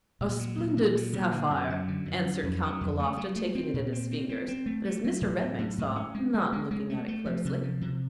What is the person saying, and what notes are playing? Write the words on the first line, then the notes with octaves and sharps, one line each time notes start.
"A splendid sapphire!" answered Count Galofta, taking it in his fingers, but, as Mr. Redmain saw, not looking at it closely.
A#2
F#3
A#2
A#2
F#3
A#2
D3
F#2
F#3
D3
F#2
F#2
F2
F#3
F2
A3
F#3
A3
C4
A#2
C4
C4
C4
C4
A3
A3
F#3
A2
F#3
A2
G#2
C#4
G#3
G#3
G#3
G#3
A3
A3
F3
C3
F3
C3